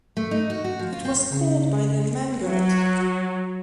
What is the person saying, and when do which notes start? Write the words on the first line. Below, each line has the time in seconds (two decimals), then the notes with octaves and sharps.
It was called by them "mangurt".
0.17 A3
0.31 D#4
0.50 F#4
0.64 F#4
0.79 F3
0.93 F4
1.05 C4
1.30 C#3
2.43 F#3